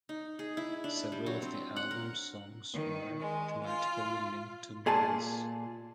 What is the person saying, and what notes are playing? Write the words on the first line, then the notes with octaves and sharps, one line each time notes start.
Several of the album's songs were thematically linked to movies.
D#4
G#4
E4
D4
G3
F#3
C4
F#5
A#4
D#3
G#3
F4
A#2 G#4 G#5 A5